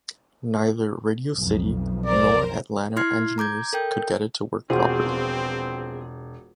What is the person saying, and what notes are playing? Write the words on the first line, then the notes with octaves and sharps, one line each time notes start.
Neither Radio City nor Atlanta engineers could get it to work properly.
B1 F2
A#4 C5 D5
E4 C6 F6 G#6 C7
A#5 D6 G6 G#6
A4 A#4 G5 G6
E1 F3 B3 C4 F4 F#4 G#4 C5